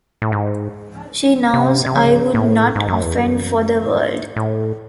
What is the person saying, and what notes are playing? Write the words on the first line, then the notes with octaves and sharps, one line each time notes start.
She knows I would not offend for the world.
A2
G#2
C3
C3
C#3
A2
G#2
F#2
E2
F#2
A2
G#2
A2